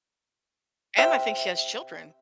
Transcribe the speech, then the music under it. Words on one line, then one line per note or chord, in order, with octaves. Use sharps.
And I think she has children.
C3 E5 G5